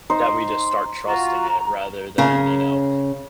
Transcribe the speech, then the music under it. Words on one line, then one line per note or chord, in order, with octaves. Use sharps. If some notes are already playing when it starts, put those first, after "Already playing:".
that we just start trusting it, rather than, you know
D#4 C5
F4 F#4 A#5
C#3 G#4 A#4